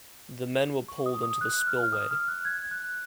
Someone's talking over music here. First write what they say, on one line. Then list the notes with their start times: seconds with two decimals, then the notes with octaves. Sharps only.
The men were pulled into the spillway.
0.88 C#6
1.06 D#6
1.23 D#6
1.41 F#6
1.67 F6
1.83 F6
1.92 D#6
2.11 F6
2.28 F#6
2.45 G#6
2.71 F#6